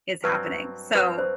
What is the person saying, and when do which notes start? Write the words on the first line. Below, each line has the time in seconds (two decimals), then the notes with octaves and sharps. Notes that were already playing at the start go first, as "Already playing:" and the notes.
is happening?" So
0.24 G2 F#3 C4 B4
0.95 G2 F#3 C4 B4
1.18 C5